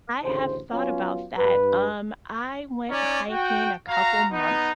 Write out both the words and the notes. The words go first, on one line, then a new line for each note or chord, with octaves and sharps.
I have thought about that. Um, I went hiking a couple months
A1 D2 C#3 C5
F#3 B3 C#4 F4
G2 B4
C#4 D#4 D5
F#4 G5
F#4 F5 A#5
B3 D#4